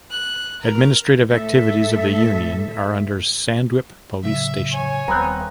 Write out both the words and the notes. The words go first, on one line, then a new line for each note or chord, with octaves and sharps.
Administrative activities of the union are under Sandwip police station.
F#6
A#4
A2 A4 E5
A2 C#3 F#3 E5
C#5 G#5
D#1 D#2 G3 B3 C4 A#5 F#6